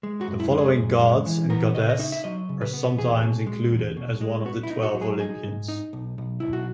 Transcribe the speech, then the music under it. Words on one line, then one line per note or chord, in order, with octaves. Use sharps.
The following gods and goddess are sometimes included as one of the twelve Olympians.
G#3
F#4
F#2
E4
G#3
G#4
F#2
G#3
E3
B3 A#4
C#3 D#5
D#5
D#4 E5
E5
F#3 D#5
C#3
B4
B3
E2 G#4
B2
G#3
E2
B2
G#3
B3 F#4
E4
D#4
F#4
F#3
G#4
D#4 G#4
G#2
D#4
B1
B1
B1 E4
F#4